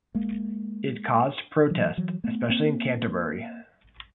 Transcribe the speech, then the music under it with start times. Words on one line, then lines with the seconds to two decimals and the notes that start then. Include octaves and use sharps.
It caused protest, especially in Canterbury.
0.15 G#3 A#3
1.71 E3 F#3
1.97 E3 F#3
2.24 A3 B3
2.49 A#3 C4